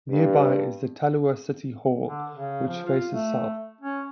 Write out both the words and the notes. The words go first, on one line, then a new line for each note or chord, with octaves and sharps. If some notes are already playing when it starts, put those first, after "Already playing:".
Nearby is the Tallulah City Hall, which faces south.
G2
D3
C#3
F3
F4
A3
C#4